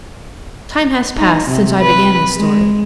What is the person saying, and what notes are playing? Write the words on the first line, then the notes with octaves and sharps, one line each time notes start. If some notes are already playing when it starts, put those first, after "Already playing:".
Time has passed since I began this story.
D#4
C3
B4
G#3